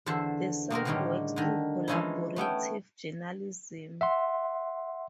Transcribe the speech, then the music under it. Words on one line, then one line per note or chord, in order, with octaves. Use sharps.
The site works through collaborative journalism.
E2 D3 A4 C5 E5 A5
B2 A#3 C4 A#4
A2 D3 D#3 G3 G#3 C#4
D3 D#3
E3 F3 G#3 C#4 D#4 E4
A3 B3 C#4 G5
E5 F#5 C6